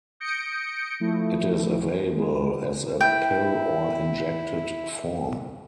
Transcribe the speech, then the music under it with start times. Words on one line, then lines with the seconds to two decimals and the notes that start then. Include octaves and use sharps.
It is available as a pill or injected form.
0.20 D#6 G6 A#6 C#7 D7
1.00 F3 A3 E4
2.13 G#3
3.01 E4 G5